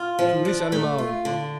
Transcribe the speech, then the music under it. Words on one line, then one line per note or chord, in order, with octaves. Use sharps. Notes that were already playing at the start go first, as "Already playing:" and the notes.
Tu ris, animal?
Already playing: F4
F3
D4
A3
F4
D3